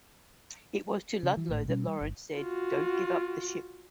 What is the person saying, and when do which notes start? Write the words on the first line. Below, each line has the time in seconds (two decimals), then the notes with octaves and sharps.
It was to Ludlow that Lawrence said Don't give up the ship.
1.23 C#3
1.37 E3
1.49 G#1 A2
1.68 B2 G3 C#4
1.88 G3
2.01 G1
2.39 F4 F#4